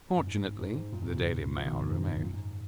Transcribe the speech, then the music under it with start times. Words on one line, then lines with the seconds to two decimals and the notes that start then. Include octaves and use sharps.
Fortunately "The Daily Mail" remained.
0.17 F#2
0.27 G#2
0.44 G#2
0.59 G#2
0.75 G#2
0.92 F#2 A#2
1.02 G#2 B2
1.13 A#2 C#3
1.57 C#3 F3
1.65 B2 D#3
1.73 G#2
1.81 F#2
1.89 G#2
2.22 F#2 A#2
2.34 G#2